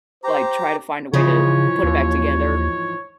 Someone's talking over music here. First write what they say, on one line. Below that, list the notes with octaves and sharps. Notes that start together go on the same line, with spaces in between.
Like, try to find a way to put it back together,
G4 C5 A#5
G#2 C#3 E3 F3 C#5
D#2